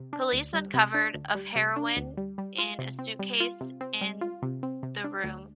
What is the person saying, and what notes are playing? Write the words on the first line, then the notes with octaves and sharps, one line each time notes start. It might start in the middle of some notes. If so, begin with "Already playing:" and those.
Police uncovered of heroin in a suitcase in the room.
Already playing: C3
D4
D2
G3
C3
D4
D2
G3
C3
D4
D2
G3
G3
F4
C3
C4
G3
F4
C3
C4
G3
F4
C3
C4
C3
D4
D2